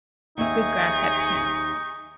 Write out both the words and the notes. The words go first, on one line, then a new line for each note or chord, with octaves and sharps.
Good grass at camp.
D#2 D#4 G#4 E5 C#6